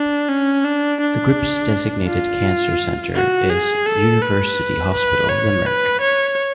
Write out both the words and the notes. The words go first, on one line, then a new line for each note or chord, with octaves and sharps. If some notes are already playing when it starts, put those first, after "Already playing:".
The Group’s designated cancer centre is University Hospital Limerick.
Already playing: D4
C#4
D4
D4
F4
F#4
G#4
A4
B4
B4
C#5
B4
C#5